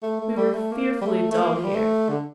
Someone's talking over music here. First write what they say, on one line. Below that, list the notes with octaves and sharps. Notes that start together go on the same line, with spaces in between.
We were fearfully dull here....
A3
A3
G3
A3
A#3
G3
A3
A3
A#3
F3
G3
A3
D3